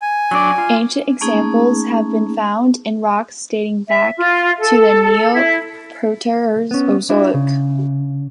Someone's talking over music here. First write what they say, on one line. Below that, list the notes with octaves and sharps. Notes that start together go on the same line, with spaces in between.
Ancient examples have been found in rocks dating back to the Neoproterozoic.
G#5
F#3 D4 D5
F4
A3 A#3 C#4 D#4 G#4
E5
F4
A4
E4
B3 C#4
D4 E4 F#4
C#3